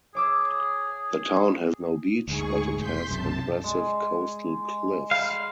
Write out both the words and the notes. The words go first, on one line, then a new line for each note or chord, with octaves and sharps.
The town has no beach, but it has impressive coastal cliffs.
G#4 C#5 D6 E6
D2 G#2 G#4 C#6
E1 C6 G6 B6
B1 F#2 C3 A5
G#3
F5 B5